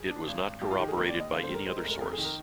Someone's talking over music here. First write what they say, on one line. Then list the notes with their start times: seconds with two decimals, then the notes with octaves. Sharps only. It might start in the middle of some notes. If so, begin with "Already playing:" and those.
It was not corroborated by any other source.
Already playing: G#4
0.10 D4
0.27 G#1
0.45 G#1
0.62 G2 G4
0.71 F4
0.79 D#3 G4
0.88 G#4
0.97 D#2 A#4
1.09 D5
1.14 D#2
1.20 D#5
1.32 D3 F5
1.44 C5
1.49 G3
1.55 A#4
1.66 G#3 C5
1.78 A#4
1.84 F1
1.90 A#4
2.01 F2 A#4
2.13 G#4
2.18 D#3
2.25 A#4